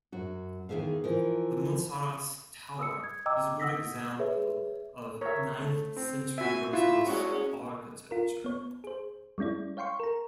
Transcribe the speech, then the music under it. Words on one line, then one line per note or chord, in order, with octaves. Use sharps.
The Muntsaratz Tower is a good example of ninth century Renaissance architecture.
F#2 F#4
E2 D#3 C4 G#4 E5 F5
E3 F3 A#4
D#6 E6 C#7
G#6
D#5 G5 A#5 D6 E6
F#5 D#6 E6 A#6 B6
G#4 B4 C#5 E5
A#4 C#5 E5
A3
C4
F#4 E5 G#5
E4 F4 E5
G#3 C#4 F#4
F4 A#4
B3 C#5
G#4 C5
G3 G#3 C#4 E4 D5
C#5 F5 G5 C6 C#6
A#4 A#5